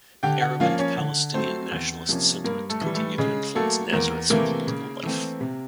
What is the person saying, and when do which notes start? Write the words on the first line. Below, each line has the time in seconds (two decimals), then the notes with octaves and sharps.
Arab and Palestinian nationalist sentiment continue to influence Nazareth's political life.
0.23 D3 G4 G5
0.41 F#4 F#5
0.60 F3 A#3 C#4 F4 F5
0.79 C#4 C#5
0.98 D3
1.34 F#3 A3 C4 C5
1.71 E2
2.09 C3 F3 A#3 C#4
2.44 G2 A#3 A#4
2.69 A3 A4
2.81 E3 G3
2.94 A3 A4
3.18 C#3 G#3 G#4
3.55 F#3 A3 A#3 A4
3.92 E2 A#3 A#4
4.30 C3 E3 A3 A#3 A#4
4.67 C#3
5.03 E3 A3 C4
5.41 C3